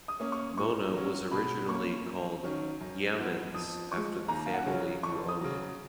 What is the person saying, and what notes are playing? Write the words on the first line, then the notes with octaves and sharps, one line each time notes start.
Mona was originally called Yeamans after the family who owned it.
D#6
A#3 C#4
C#6
A#2 C#6
F#3 C#4
B2 B5
A#3 C#4 C#6
F#2
D#3 F#3 C#4
F#2
F3 B3
F2 D#6
F3 G#3 C#6
D#2 A#5
F5
F#5
C#3 F#3 C#4
F2 C#6
D#6
C#3 F#3